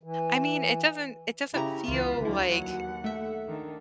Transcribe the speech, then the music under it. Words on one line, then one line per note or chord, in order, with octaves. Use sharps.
I mean, it doesn't it doesn't feel like
E3
C#3 E4 G4 A#5
C#2 E3 F4 B4
D2 D3 F#3 E4
D#2 F#3 F#5
A3 E5
D#3 D4